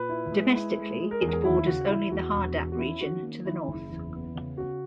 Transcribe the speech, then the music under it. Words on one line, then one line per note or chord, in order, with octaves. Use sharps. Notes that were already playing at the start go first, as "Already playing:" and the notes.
Domestically, it borders only the Hardap Region, to the north.
Already playing: A#2 B4
E4
G#3
E4
G#3
G#3
A#4
E2 G#4
A#4
G#4
D#2 E4
C#3 F#4
E3 E4
E2 F#4
E1
E2
F#4
C#4 E4
D#3 F#4
A#3
D#3 E4
F#1
E2
B3
C#3
C#4 F#4